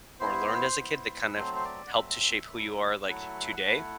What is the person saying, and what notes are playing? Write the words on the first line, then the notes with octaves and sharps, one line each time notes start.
or learned as a kid that kind of, helped to shape who you are, like, today?
B3 E4 C5
B3 E4
B4
F#3 A3 C4 C5
C5
D5
F#5
F#3 A3 C4 E5
F#3 A3 E4
F#3 A3 E4 F#5
A3 E4